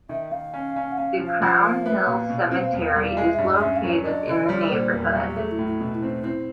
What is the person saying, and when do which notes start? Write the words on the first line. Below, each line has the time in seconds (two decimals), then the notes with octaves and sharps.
The Crown Hill Cemetery is located in the neighborhood.
0.09 D#3 E5
0.31 D#3 F5
0.54 C#4
0.76 C#4
0.92 F#5
0.98 C#4 F5
1.19 F3
1.27 F5
1.42 F3 F#5
1.63 A#3 F5
1.85 B3 E5
2.07 A#2 F5
2.30 B2
2.51 C4
2.73 E2
2.95 G3
3.17 G#3 F5
3.31 E5
3.38 G2
3.46 D#5
3.61 C#4 E5
3.76 F5
3.83 F#3
3.90 C#5
4.05 D4 D#5
4.27 D3
4.49 G3 C#5
4.65 B4
4.71 A#2 C5
4.93 E2 A#4
5.15 F#3 F#4
5.28 G4
5.36 A3 G#4
5.51 E4
5.58 A2
5.66 E4
5.80 B2 F#4
5.95 E4
6.02 C4
6.10 D#4
6.24 C4 E4